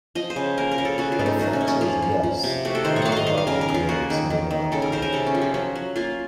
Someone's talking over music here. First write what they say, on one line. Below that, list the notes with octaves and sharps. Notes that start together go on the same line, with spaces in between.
But if the answer is 'yes', "heterological" is heterological.
F3 D#5
C5
C#3
A#3 A#4
A#4
C#3
A4
C#3 F#4
F4
A3
D#4
F#3 D#4
C#4
A#3
C#4
F3 F4
F3
F3
C3
A3 F#4
A4
D#3 C5
C#5
F#3 F5 F#5
D#5 F5
D#3 F5
F5
C#3 A#4
A#4
C#3
F4
A#3 F#4
D#3
D#3
D#3
C#3 A4
A#4
C#3 C5
A#4
C3 A4
C#4
F3
C4
F#3 C#4
F#3
A#3 F4